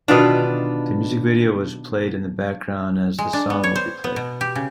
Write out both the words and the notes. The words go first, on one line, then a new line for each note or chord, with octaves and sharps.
The music video was played in the background as the song would be played.
B2 D3 D#3 D4 F4 B4
G#3
D4
B3
C#5
C5
B3
B2
G4
C#3